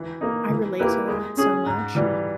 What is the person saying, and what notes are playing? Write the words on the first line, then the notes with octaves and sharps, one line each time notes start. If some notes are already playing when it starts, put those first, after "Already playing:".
I relate to that so much,
Already playing: E3
A#3 D#4
E3
A#3 E4 G4 B4
G#3
C#4 G#4
G#2
E3 G3